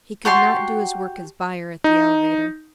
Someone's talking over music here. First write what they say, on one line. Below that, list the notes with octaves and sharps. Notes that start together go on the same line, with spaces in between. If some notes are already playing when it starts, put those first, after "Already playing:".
He could not do his work as buyer at the elevator.
F#4 G4 A5 C6
D#4